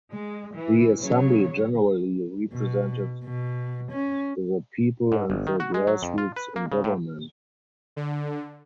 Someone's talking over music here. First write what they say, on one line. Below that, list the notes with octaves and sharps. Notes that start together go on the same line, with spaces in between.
The assembly generally represented the people and the grassroots in government.
G#3
E3
C#3 F#3 C#5
B2
B2
C#4
G#2
G1
D#3
F#4
G#3
F#3
F2
F4
B4
A#3
C#3
A2
D3